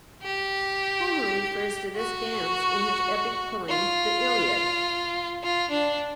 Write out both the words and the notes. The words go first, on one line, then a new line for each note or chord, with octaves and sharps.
Homer refers to this dance in his epic poem, the "Iliad".
G4
F#4
F4
F4
D4